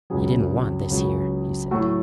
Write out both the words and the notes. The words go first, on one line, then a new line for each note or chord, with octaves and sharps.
"You didn't want this here," he said.
C#2 C#3 F#3 G#4
C#2 C#3 F#3
A2 F#3 A3 F#4